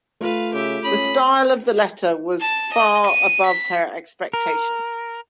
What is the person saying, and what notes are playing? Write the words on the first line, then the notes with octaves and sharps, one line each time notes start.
The style of the letter was far above her expectation.
A3 F4 B4 F5
C#3 G4 E5
C#4 B5 D#6
A5
D#5
D#7
B6
A#4